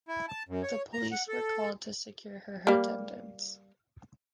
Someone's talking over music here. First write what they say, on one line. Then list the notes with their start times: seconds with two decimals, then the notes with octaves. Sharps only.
The police were called to secure her attendance.
0.08 E4
0.28 A5
0.48 F#2
0.63 C#5
0.93 A#5
1.12 F#5
1.28 A4
2.67 G3 A#3